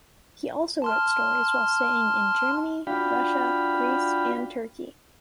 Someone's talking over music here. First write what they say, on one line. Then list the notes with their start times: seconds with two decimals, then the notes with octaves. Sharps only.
He also wrote stories while staying in Germany, Russia, Greece, and Turkey.
0.82 A5 C6 F6
2.87 D4 F4 F#4 F5 G5 B5